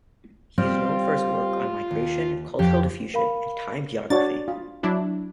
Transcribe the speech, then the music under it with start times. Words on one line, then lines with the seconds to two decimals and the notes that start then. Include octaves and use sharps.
He is known for his work on migration, cultural diffusion and time geography.
0.58 G3 C4 F4 G4
1.91 D#2
2.59 F2 G4
3.14 A#4 F5 B5
4.10 D4 F#4 C#5 A6
4.48 F4
4.83 F#3 D4 E4